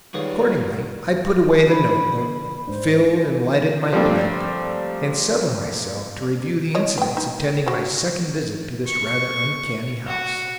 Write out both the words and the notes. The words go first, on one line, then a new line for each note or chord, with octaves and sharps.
Accordingly I put away the notebook, filled and lighted my pipe, and settled myself to review the incidents attending my second visit to this rather uncanny house.
D#3 G3 G#3 F4 F#4 B4 C#5 F5
D3 F3 B5
G#2 D4 C5
F3 G3 A3 A#3 C4 D4
C#5 D#5
B3 G5
D#4
F3 F#4
C#6
F#4